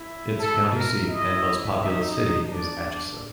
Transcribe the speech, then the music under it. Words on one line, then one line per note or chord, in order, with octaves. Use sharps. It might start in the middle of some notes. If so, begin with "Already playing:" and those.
Its county seat and most populous city is Atchison.
Already playing: E4
A4
A#4
E4 D#5
D#4 E5
D#5
D4 D5